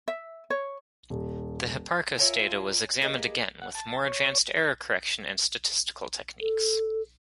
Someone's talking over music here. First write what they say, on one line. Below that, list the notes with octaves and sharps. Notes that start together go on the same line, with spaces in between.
The Hipparcos data was examined again with more advanced error correction and statistical techniques.
E5
C#5
D#1
F4 A#4 C#5 E5 G#5
E2 A#3 G4 G#4 B4 D#5
F#5
A5
C#5
A4